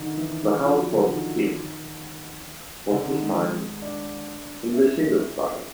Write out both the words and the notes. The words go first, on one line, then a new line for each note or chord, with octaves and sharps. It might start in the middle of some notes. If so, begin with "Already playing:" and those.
The house was it was designed in the Shingle style.
Already playing: D3 D#3
E3
F3
F#3
D3
D#3
D3
D#3
G#3
D4
E4